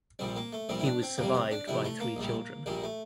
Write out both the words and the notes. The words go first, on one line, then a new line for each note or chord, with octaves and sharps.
He was survived by three children.
A#1 A#2 G3 C4
A#3
A3
A#1 A#2 G3 C4
E4
D4
C4
F2 C3 G3 A#3
C4
D4
F2 C3 G3 E4
A3
A#3
A#1 A#2 G3
A#1 A#2 G3 A#3
A3